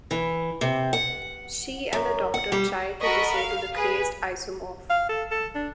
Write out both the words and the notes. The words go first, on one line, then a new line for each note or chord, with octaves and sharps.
She and the Doctor try to disable the crazed isomorph.
E3
C3
F#5
F#2
F#5
G3
F#4 A4 A#4 D#5 B5 C#6
F5
G#4 B4
F5
A4
A4
D4